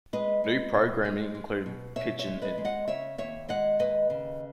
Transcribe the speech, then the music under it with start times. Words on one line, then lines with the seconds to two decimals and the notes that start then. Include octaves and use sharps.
New programming included Pitchin' In.
0.13 G#3 B4 D#5
0.44 G#3
0.74 B2
1.05 G#3
1.35 G#3
1.66 B2
1.96 B2 C#5 E5
2.19 C#5 E5
2.27 G#3
2.42 B4 D#5
2.58 G#3
2.65 D#5 F#5
2.88 C#3 C#5 E5
3.18 D#2 C#5 E5
3.49 G#3 D#5 F#5
3.79 D#2 B4 D#5
4.10 C#3